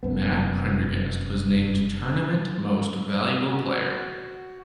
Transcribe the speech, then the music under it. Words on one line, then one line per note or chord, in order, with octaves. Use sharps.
Matt Prendergast was named Tournament Most Valuable Player.
F1 F#2 B3
F#4